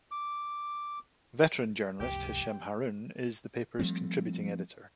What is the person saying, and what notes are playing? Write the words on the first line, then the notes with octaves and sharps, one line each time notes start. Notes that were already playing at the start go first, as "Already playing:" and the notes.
Veteran journalist Hisham Harun is the paper's Contributing Editor.
D6
F1 C#2 G2 B2 G4 G5
F3 G3 A3 C4